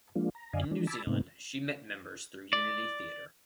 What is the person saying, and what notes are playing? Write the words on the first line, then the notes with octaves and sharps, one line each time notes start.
In New Zealand she met members through Unity Theatre.
F3 G#3 A#3 D4 F4
A#5
F#2 D3 D5 D#5 F5 G#5
E3 F3 G#3 D4
G#5 A5 B5 D6 E6
G#2 C3 A3 B3 C4 D#4
D5